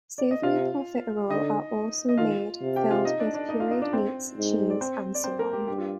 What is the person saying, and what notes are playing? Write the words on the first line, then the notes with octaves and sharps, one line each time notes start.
Savory profiterole are also made, filled with pureed meats, cheese, and so on.
D5
D#5
C3 F4 F5
D3 D#4 D#5
D#5
D#3 F4 F5
C3
G4 G5
F4 F5
D#4 D#5
D4 D5
D4 D5
D#4 D#5
F4 F5
D#4 D#5
D4 D5
C4 C5
G#2
D5
C4 C5
D5
C4 C5
A#3 A#4
G4
G2 G4
F4